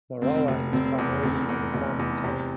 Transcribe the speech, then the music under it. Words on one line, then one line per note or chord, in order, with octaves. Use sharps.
Morawa is primarily a farming town.
F1 C4
F1
F1 C4
E2
F1 C4
E2
F1
E2
C3